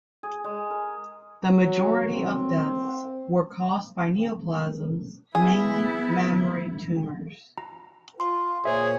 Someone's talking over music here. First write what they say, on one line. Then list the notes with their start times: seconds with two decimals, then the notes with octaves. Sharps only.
The majority of deaths were caused by neoplasms, mainly mammary tumors.
0.23 G#4
0.44 G#3
0.70 A#4
1.48 F#3
2.13 C4
5.35 B3 E4 G#4
7.58 A#5
8.20 F4 C6
8.65 A#2 G#4 C5 C#5 E5